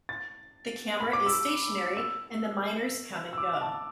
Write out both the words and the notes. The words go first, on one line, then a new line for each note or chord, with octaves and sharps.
The camera is stationary and the miners come and go.
A6
B5
D6
E6
E6
E6
D6
A5